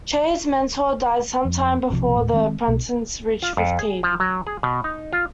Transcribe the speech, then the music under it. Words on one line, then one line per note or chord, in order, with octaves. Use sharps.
Chade's mentor died some time before the apprentice reached fifteen.
F2
B1 C3 F3
D#1 A2
D#3 G#3 A3 C4
B1 B2
F4
F2
G#4
F3
F#3
G#4
B2
D#4
F4